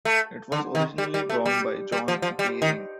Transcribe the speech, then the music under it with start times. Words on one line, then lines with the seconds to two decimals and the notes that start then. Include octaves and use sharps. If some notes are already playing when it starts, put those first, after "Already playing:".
It was originally drawn by John Geering.
0.05 A3
0.52 D3
0.75 D#3
0.98 G3
1.14 G3
1.29 A3
1.46 G3
1.92 G3
2.08 F3
2.22 F3
2.39 G3
2.62 D#3